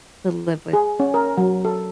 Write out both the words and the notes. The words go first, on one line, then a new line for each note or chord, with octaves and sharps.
to live with
G#4
C#4
A#4
F#3
A4